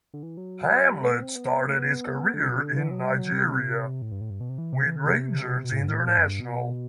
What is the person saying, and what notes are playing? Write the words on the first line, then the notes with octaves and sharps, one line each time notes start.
Hamlet started his career in Nigeria with Rangers International.
D3
E3
F#3
G3
A3
B3
C4
B3
A3
B3
D3
B2
D3
E3
F#3
G3
F#3
C3
A2
G2
A2
G2
B2
C3
E3
C3
E3
D3
C3
B2
A2
G2
A2
B2
A2
F#2
G2
B2